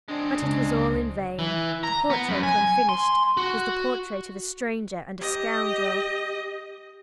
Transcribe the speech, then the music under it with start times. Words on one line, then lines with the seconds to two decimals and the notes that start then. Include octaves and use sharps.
But it was all in vain: the portrait when finished was the portrait of a stranger and a scoundrel.
0.08 G#3 C4 D4
0.42 C#2
1.39 E3
1.83 A#5
2.10 B3
2.29 F#2
2.43 G#5
2.89 C6
3.37 F#4
5.19 G4 D#5